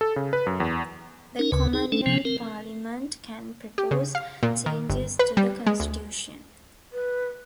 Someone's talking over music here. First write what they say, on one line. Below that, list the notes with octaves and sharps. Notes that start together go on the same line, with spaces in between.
The Commonwealth Parliament can propose changes to the Constitution.
A4
C#3
B4
F#2
E2
C#4 D#4 A#4
D2 C#3 B4
D#4 G#4
A3 C#4 D4 A4
C3 F3 B3 C#4
C4 A#4
G4
C#3
F5
A#2
D#3
G1
B4
G3
G#3
D2
B4